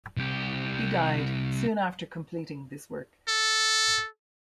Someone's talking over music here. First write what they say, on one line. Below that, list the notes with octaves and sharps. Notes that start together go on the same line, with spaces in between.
He died soon after completing this work.
C2 G4
A4